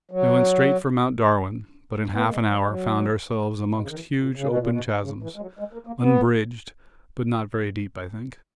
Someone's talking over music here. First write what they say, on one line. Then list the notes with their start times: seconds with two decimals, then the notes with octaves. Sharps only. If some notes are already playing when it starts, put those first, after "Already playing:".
We went straight for Mt. Darwin, but in half an hour found ourselves amongst huge open chasms, unbridged, but not very deep, I think.
0.11 F#3
2.14 B3
2.22 A#3
2.31 G#3
2.49 F#3
2.61 G#3
2.67 F#3
3.74 B2
3.81 C#3
3.88 D#3
3.95 E3
4.22 A#2
4.36 C#3
4.47 B2
4.58 A#2
4.70 B2
5.04 C#3
5.23 E3
5.36 G#3
5.41 F#3
5.59 G#3
5.73 A#3
5.87 A#3
6.01 B3